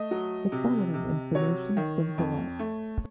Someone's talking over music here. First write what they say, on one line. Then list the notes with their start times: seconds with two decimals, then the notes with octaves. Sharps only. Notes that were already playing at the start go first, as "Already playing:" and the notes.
The following information is from Howat.
Already playing: A3 D#5
0.11 F#3
0.52 C3
0.94 C3
1.35 F#3 C#5
1.77 D#3
2.18 F2
2.59 A3